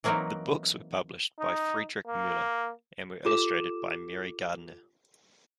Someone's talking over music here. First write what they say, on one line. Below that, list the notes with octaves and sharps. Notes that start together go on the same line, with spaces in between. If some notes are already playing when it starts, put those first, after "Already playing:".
The books were published by Frederick Muller and were illustrated by Mary Gardiner.
E3 F#3 A#3 C4 D#4 E4
D#4
A#3
F4 G4 A4 D6 E7